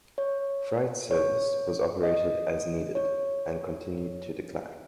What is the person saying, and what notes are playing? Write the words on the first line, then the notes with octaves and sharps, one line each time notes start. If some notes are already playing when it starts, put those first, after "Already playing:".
Freight service was operated as-needed, and continued to decline.
C#5
C#5
D#5
C#5